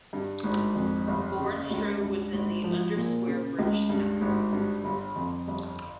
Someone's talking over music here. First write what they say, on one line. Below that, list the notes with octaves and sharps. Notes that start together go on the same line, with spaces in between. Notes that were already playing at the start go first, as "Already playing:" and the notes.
Bore and stroke was in the undersquare British style.
G2
G#1
F2
G1
C#3
C#2
G2
G#1
F3
A#2
C#3
C#2
G2
G#1
G2
G1
F2
G1